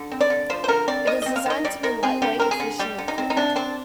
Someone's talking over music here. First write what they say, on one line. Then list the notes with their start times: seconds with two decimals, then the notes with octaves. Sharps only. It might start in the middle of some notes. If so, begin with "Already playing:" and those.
It is designed to be light-weight, efficient and quick.
Already playing: D3
0.12 C4
0.21 D5
0.30 D3
0.50 F3 C5
0.64 C5
0.68 D3 A#4
0.88 C4 D5
1.07 D#3 D#5
1.22 C4 D#5
1.36 F5
1.46 D#3 D#5
1.65 G3 D5
1.83 D#3 A#4
2.03 C4 G#4
2.22 D3 G4
2.40 C4 A#4
2.51 G#4
2.60 D3
2.79 G3 G4
2.98 D3
3.08 D#4
3.18 C4
3.30 D#4
3.37 C3 D4
3.56 C4 D4